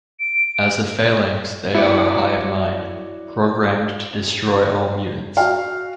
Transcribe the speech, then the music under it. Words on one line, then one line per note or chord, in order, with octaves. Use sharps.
As the Phalanx they are a hive mind, programmed to destroy all mutants.
D7
E4 F#4 C#5 D5
F#4 F5